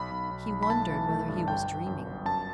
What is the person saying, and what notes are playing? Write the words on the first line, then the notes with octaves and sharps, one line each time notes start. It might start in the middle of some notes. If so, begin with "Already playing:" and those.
He wondered whether he was dreaming.
Already playing: B1 B5
B1
B1
B1
B5
A3 A5
E3
A3
G2
G1 G5
G1
F#2
G1
F#2 A5